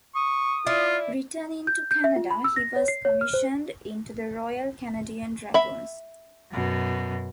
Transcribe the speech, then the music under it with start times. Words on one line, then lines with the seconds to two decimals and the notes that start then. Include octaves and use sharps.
Returning to Canada he was commissioned into the Royal Canadian Dragoons.
0.15 C#6 D#6
0.67 E4 F4 D5
1.67 G6
1.91 G6
2.04 E5
2.16 F4
2.31 B5
2.44 E6
2.56 A#6
2.76 C#5
2.88 C7
3.05 C#5
3.21 F6
3.34 C5
5.54 E5 B5
6.52 F#2 B2